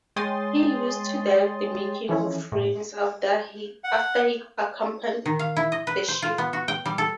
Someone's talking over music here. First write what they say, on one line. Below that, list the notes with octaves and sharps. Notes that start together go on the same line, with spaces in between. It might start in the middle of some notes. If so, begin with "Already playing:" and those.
He used to direct the making of frames after he accompanied the ship.
G#3 C#5 G5 C6 D#6 A6
E3 F3 C#4 E4 A4
A2
F#5
D#3
F5
E4
D#5
B4
C5
F4
B3
F#4
G5
G3
A4